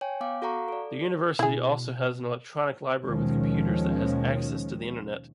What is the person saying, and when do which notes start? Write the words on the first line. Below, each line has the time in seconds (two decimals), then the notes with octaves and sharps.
The university also has an electronic library with computers that has access to internet.
0.01 C#5 G5 G#5
0.21 B3 F5 D6
0.42 F#4 A4 F5 F#5 A#5 C#6
0.68 A4 D5
1.39 B2 E4 G#4
3.06 D#2 B2 D#3 F3 G#3 C#4